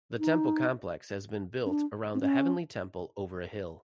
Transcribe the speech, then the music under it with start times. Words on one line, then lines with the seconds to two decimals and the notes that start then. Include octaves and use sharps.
The temple complex has been built around the heavenly temple over a hill.
0.20 D#4
1.66 C#4
1.70 D4
2.15 C4
2.21 C#4